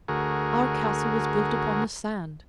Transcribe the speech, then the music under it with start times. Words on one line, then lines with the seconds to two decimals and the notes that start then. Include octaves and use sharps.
Our castle was built upon the sand.
0.08 D2 F#4 G#4 A#4